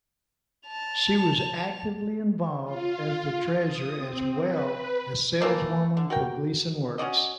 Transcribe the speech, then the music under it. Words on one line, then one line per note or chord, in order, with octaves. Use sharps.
She was actively involved as the treasurer as well as saleswoman for Gleason Works.
A5 F7
F4
D#6
C4
B4
E3 A3 A#3 D5
D3
F#4 A#4 G5
C#4 F#4 D5 D#5